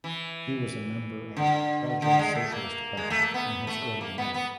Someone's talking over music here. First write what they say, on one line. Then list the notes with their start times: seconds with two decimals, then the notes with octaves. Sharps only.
He was member of Praja Socialist Party in his early life.
0.04 E3
1.37 D3
2.02 D3
2.19 G#3
2.35 A3
2.52 A#3
2.97 G#3
3.10 A3
3.22 A#3
3.34 B3
3.67 A3
4.01 A#3
4.18 B3
4.34 B3